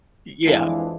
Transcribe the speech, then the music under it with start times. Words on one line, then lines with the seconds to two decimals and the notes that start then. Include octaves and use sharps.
Y yeah.
0.44 F2 E3 G#3 D4 F4